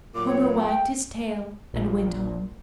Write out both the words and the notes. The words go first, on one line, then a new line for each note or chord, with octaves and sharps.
Homo wagged his tail, and went on.
A#2 F#3 D6
C#5
G5
A#1 A#2